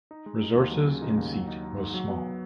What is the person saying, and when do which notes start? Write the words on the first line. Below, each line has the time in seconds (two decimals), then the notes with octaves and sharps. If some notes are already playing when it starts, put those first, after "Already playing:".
Resources in seat was small.
0.11 D#4
0.26 G#3
0.41 D#4
0.56 D#2
0.71 F#3
0.87 C#3
1.02 D#4
1.17 D#2
1.33 F#3
1.48 D#4
1.63 D#4
1.78 G#2
1.94 F#3
2.09 B3